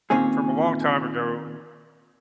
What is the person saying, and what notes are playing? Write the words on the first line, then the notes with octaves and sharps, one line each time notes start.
from a long time ago
A#2 D#3 C4 C#4 G#4